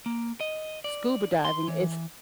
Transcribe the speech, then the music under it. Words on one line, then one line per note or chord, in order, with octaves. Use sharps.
scuba diving. It's
A#3
D#5
D5
C6
E3